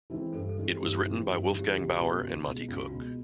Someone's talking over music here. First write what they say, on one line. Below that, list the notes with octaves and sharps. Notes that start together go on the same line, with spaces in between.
It was written by Wolfgang Baur and Monte Cook.
E3 G#3 C4 E4
G2 A4
A4
E3 G#3 C4 E4
G4
G2 G4
E3 G#3 C4 E4
G2 F#4
G4
E3 G#3 C4 E4
G4
C#2 G4
F#4
B2 G#3 F4
F#4
C#2
B2 G#3
C#2 F4
F#4
F4
B2 G#3